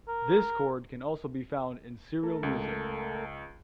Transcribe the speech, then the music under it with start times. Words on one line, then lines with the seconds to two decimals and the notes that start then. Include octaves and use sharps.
This chord can also be found in serial music.
0.08 A#4
2.23 A3 A4 A#4
2.43 C#2